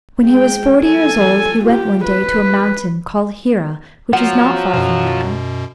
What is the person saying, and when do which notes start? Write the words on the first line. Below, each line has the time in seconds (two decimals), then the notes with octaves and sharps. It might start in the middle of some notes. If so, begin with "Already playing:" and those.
When he was forty years old he went one day to a mountain called Hira which was not far from Mecca.
0.24 G#3 G5
0.80 A4 G#5
1.65 F4 G4
2.05 B4
4.13 F3 F#3 F#5
4.74 F#2 B2